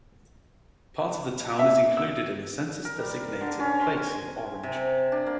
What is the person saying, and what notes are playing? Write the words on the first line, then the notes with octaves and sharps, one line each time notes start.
Part of the town is included in the census-designated place of Orange.
E5
E6
A#4
G3
D3
C#4
C6
G#5
C3
D4
A#3